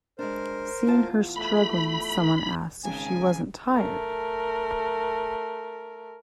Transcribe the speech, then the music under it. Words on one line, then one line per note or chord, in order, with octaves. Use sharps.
Seeing her struggling, someone asked if she wasn't tired.
G#3 D4 A#4 C5
E2 F4 A5
A3 B5
G#1 C#3 G#5
A3 A#4